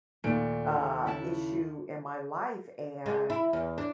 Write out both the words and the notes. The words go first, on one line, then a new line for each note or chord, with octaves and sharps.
uh, issue in my life, and
D#2 A#2 A3 D7
C#3 E4 A5
G#3
E4
E2
D4